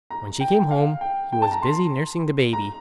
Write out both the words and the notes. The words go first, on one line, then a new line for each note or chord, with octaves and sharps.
When she came home, he was busy nursing the baby.
A#5
G5
F5
G5
G5
A5
A#5
C6
A#5